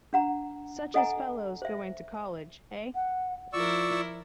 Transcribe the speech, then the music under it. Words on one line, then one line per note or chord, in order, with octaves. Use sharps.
Such as fellows going to college, hey?
D4 F#5 A#5
A4 D#5 F#5 G#5 A#5
C5 E5
F#5
F3 E4 F4 A#4 D5 C#6 E6